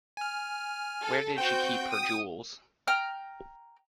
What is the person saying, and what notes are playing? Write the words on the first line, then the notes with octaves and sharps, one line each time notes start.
Where did she keep her jewels!
G#5 F6
A4
C4 F#4 G5 G6
D#6
G5 A#5 F6